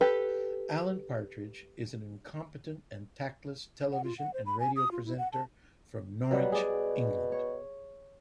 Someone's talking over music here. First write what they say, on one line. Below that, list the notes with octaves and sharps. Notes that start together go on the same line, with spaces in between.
Alan Partridge is an incompetent and tactless television and radio presenter from Norwich, England.
G4 A4 B4
F#5
F4
F#5
C5
B5
G#5
D#6
F4
E4
F#5
A5
B2 F#3 G3 F#5
G#4 D5
C#5